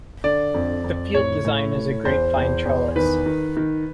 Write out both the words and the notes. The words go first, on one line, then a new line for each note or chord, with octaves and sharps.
The field design is a grape vine trellis.
D3 D5
F2
F2
A2 C#5
A2
A2
E2 C5
E2
E2
D#3 B4
D#3
D#3